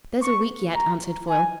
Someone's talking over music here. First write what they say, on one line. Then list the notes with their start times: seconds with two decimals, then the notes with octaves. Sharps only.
"There's a week yet," answered Foyle.
0.22 C#6
0.75 A#5
1.29 G#5